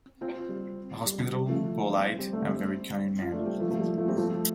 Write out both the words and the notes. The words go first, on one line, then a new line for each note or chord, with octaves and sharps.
A hospitable, polite, and very cunning man.
C4 F4
G3
G3
G3
F3 A3
G3 C4
G3 C4
A3 D4
G3 C4
F4
A3 D4
G3 C4
F3 A3
F3 A3
G3
F3 A3
G3 C4
F3 A3